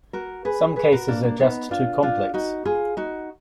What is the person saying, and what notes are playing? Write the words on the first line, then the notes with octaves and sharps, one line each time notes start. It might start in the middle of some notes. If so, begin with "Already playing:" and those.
Some cases are just too complex.
F#4 A#4
G#4 B4
G#4 B4
F#4 A#4
A#3 D4
A#3 D4
B3 D#4
D4 F4
D4 F4
D#4 F#4
F4 G#4
D#4 F#4